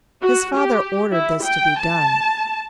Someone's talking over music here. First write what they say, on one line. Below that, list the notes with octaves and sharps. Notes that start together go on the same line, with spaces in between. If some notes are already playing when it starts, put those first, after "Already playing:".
His father ordered this to be done.
F#4
G4
E4
G5
A5